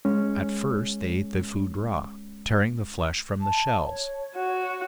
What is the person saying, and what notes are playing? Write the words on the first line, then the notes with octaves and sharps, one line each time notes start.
At first they ate the food raw, tearing the flesh from the shells.
G#3 C#4
A5
C#5
F#4